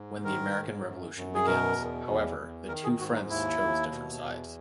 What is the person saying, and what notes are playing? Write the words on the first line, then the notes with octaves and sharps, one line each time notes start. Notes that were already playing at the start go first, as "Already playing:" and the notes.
When the American Revolution begins, however, the two friends choose different sides.
Already playing: G#2
D#3 A#4
G#2
F#2
F#2
G#4
B2 A#4
E2
E2
E2
D#3 A#4
G#4
G#2 F#4
D#4
D#2 E4
D#2
B2
E2